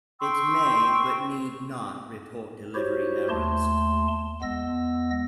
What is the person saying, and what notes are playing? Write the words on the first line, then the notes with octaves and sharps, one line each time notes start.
It may, but need not, report delivery errors.
G5 C6 C#6 E6
E4 F#4 G4 C5 C#5
D#2 A3 A5 C6
E2 G#3 B3 E6 A#6